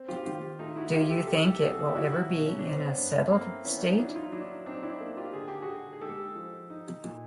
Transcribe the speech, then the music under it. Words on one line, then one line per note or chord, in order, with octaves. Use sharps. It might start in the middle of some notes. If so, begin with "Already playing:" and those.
Do you think it will ever be in a settled state?
Already playing: C4
F4 G4
D#3 F4 G4
A3 D#4 F4
E4 F#4
F#3 F4 G4
G4 A4
C2 G4 A4
G4 A4
C2 F#4 G#4
A4
G#4
G4
F#3 E4 F#4
E4 F#4
B2
C#4
C4 D4
B3 C#4
G2
A3 A#3 C4
E3 B3 C#4
C#4 D#4
F#3 D4 E4
E4
D#4 F4
F#3 D4 E4
C4 D4 D#4
D4 E4
A#3
F4 G4
D3 G#4
G4
F#4 G#4
D3
G#4
G#3 G4 A4
F3
D#4
A#2